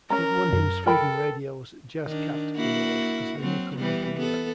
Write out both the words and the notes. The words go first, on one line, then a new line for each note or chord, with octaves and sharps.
It won him Sweden Radio's Jazz Cat award as the newcomer of the year.
C#4 A#4 A#5
F#2
A4 A#4 G5 B5
D#3 D4
A#3 E4 F#4
F#3 C4
E3 G3 B3
B3 A4